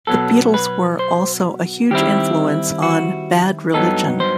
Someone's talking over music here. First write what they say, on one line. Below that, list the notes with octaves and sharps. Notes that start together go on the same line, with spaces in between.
The Beatles were also a huge influence on Bad Religion.
B2 F#3 B3 A4
B4
C5
D#3 G3 C4 E4 G4
F#4
G2 F#3 B3 D#4 A4
C5